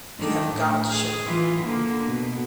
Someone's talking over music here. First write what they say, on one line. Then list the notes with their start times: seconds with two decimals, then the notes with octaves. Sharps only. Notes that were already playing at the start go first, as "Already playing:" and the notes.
You have got to show me.
0.20 D#3 D4
0.52 A2
0.90 G#4
1.26 E3 F4
1.63 D3 A#3
2.06 B2